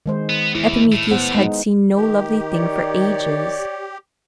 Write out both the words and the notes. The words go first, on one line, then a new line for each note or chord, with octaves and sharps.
Epimetheus had seen no lovely thing for ages.
D#3 G#3 C5
B3
E2 E4
A2
B3 C5 F#5
G#3 D#4
D#3 G4
C#5 D5